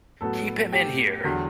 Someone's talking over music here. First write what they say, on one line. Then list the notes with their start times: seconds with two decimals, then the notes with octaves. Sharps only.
Keep him in here!
0.21 A2 F#3 B3 A4 A5
0.72 G4 G5
1.24 E2 D3 F#3